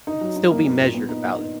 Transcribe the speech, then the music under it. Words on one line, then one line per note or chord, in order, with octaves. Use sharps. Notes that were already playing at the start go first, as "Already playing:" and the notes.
still be measured about it.
D#4
F#3
D#4
A#3
A#3
A#2
B3
D#4
B3
D#4